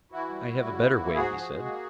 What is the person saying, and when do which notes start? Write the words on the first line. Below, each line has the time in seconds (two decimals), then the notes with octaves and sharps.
"I have a better way," he said.
0.12 E3 E4 F#4
0.29 G3
0.47 G3
0.64 C#3
0.80 A#3
0.98 A#3
1.15 G#2 F#4 G#4
1.32 F3
1.49 G#3
1.66 A#3